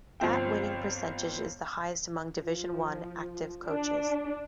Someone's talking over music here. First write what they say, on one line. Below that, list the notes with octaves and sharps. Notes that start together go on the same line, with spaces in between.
That winning percentage is the highest among Division I active coaches.
G1 F3 C4 G5
F3
D4